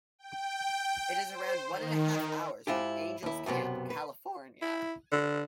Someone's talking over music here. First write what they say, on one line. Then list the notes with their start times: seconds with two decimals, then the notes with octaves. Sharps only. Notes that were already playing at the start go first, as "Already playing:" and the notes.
It is around one and a half hours from Angels Camp, California.
0.19 G5
1.28 C5
1.68 D#3
2.67 G#2 E4 F4 G4
3.23 D#2 E4
3.46 B1 F#2 C3 B3
3.90 B4
4.62 E4
5.12 D3